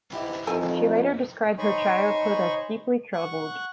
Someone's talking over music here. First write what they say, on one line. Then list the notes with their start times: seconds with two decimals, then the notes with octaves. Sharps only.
She later described her childhood as deeply troubled.
0.13 G#2 E3 G4
0.47 F2 D#3 A4 C5 G#5
1.58 D#4 C5 C#5 G#5 B5 C#6
3.13 F#5 C#6 F#6